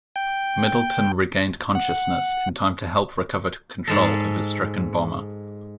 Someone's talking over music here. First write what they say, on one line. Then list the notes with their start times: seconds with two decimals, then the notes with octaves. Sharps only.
Middleton regained consciousness in time to help recover control of his stricken bomber.
0.16 G5
1.75 F#5
3.88 G#2 G#3 A4